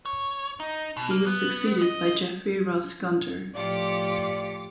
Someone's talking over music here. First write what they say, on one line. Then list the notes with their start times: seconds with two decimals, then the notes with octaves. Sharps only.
He was succeeded by Jeffrey Ross Gunter.
0.06 C#5
0.60 D#4
0.97 B2
1.11 A#3
1.26 B3
1.82 D#5
3.55 A2 F3 F4 G4 D5 D6 C#7